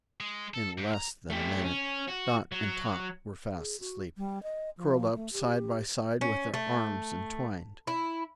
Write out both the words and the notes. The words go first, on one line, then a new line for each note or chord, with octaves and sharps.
In less than a minute Dot and Tot were fast asleep, curled up side by side, with their arms entwined.
G#3
A4
G#2
A#5
A3 G4
C#4
F#4
F#3
G#4
F#4
G3
D#5
F3
A3
G4
C#4
A3
E4